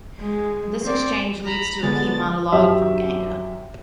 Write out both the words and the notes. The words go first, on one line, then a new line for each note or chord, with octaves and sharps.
This exchange leads to a key monologue from Ganga.
G#3
C4 D5
A#5 B5
D3 G#3 B3 A6
F#2 F#3 G4 E5